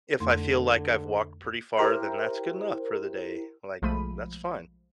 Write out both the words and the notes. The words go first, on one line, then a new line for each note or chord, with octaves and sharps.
if I feel like I've walked pretty far, then that's good enough for the day, like, that's fine.
F2 D3 A3 C6
E4 G4 A#4 C5
B1 F3 G#3 A3 B5 D#7